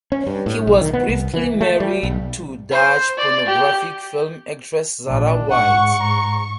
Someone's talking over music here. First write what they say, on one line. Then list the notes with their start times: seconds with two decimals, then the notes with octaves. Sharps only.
He was briefly married to Dutch pornographic film actress Zara Whites.
0.12 C#4
0.27 G2
0.46 A2
0.67 B1
0.81 D#3
0.93 B3
1.09 C2
1.34 E3
1.61 A3
1.80 G3
2.03 B1
2.71 C5
3.17 D5
3.46 G4
5.07 A#1 D4
5.50 G#2 F#5 C#6
6.00 A#5